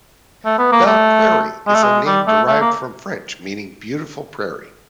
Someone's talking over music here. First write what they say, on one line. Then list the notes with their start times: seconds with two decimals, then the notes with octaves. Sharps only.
Belle Prairie is a name derived from French meaning "beautiful prairie".
0.45 A3
0.58 B3
0.72 A#3
0.86 A3
1.67 G#3
1.74 A3
1.83 G#3
2.06 G3
2.27 A3
2.48 A3
2.61 A#3